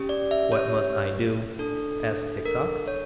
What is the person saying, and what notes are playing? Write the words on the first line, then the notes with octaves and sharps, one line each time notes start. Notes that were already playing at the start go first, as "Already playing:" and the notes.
"What must I do?" asked Tik-Tok.
Already playing: C#4 G4
D5
E5
C#5
D4 A4
A#4
C#5